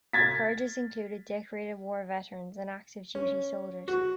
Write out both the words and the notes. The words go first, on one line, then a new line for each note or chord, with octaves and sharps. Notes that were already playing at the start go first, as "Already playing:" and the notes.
The purges included decorated war veterans and active duty soldiers.
G#6 A6 B6
C#4
F#4